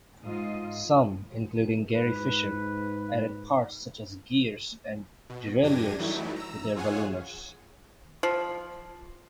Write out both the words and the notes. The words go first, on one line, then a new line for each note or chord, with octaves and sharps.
Some, including Gary Fisher, added parts such as gears and derailleurs to their ballooners.
G#2 F4 D#5
G#2 B4
B2
F#2 D4 G4 G#6 A#6 D#7
E3 F#3 G3 A3 D#4 E4
A#5 E6
F4 G#4 C#5 F#5 G#5
F3